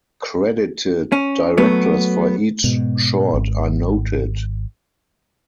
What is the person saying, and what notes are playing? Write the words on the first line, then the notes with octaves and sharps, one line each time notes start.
Credited directors for each short are noted.
C#4
F#3 A3 B3
G#2 B2
G#1